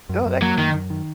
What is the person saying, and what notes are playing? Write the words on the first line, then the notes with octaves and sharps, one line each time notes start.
No, that could be f
F#2
F#2
F#3 A#3
F#2 D#3
F#2
D#3